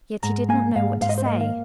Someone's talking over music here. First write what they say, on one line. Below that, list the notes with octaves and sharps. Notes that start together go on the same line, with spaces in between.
Yet he did not know what to say.
G#2 A#5
A#3 G#5
G#2 F5
G#2 F5
D#5
C5
A#3 D#5
F5